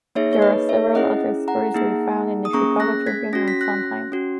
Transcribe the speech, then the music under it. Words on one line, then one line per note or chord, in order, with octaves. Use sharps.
There are several other stories to be found in the Chicago Tribune and Sun-Times.
A#3 D#4 G#4 C#5 E5
C#5
B4 D#5
C#5 E5
C#4 E4 G#4 D#5 F#5
F#5 A#5
A#3 D#4 G#4
D#6
A#3 C#4 G#4 A#5 C#6
F#6 A#6
G#6 B6
C#4 F#4 A#6
B6
F#6 A#6
C#4 F#4